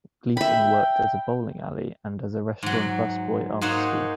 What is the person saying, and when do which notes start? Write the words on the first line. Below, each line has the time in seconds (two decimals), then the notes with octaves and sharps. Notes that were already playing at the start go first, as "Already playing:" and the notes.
Gleason worked at a bowling alley and as a restaurant busboy after school.
0.37 E5 G5 B5
2.63 G#2 F#3
3.61 G#2 A#3 D#4 C5 C#5 F#5